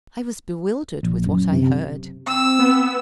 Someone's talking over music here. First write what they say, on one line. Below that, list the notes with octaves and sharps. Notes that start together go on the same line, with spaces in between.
I was bewildered with what I heard.
A#1
F#2
C3
C4 E6
B3